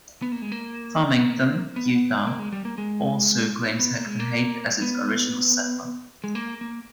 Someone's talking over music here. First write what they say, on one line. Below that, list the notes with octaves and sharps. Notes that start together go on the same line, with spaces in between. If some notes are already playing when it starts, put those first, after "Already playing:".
Farmington, Utah, also claims Hector Haight as its original settler.
B3
A#3
G#3
A#3
B3
A#3
B3
A#3
G#3
G3
A#3
G#3
B3
A#3
G#3
A#3
B3
G#3
A#3
A#3